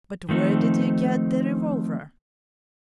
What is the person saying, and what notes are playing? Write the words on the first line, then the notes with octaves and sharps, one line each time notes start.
But where did you get the revolver?
D#3 F3 A3 C4 D#4